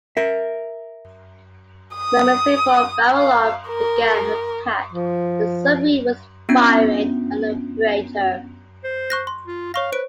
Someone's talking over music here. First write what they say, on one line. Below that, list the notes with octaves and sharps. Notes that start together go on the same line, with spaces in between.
Moments before "Baralong" began her attack, the submarine was firing on the freighter.
A#4 E5
D#6
F5
A#4
F3
B3 C#4 D4 F4 G6
C5
C#6 F#6 A#6
C6
F4
C#5 F5 C#6 A#6
B4 C5 D7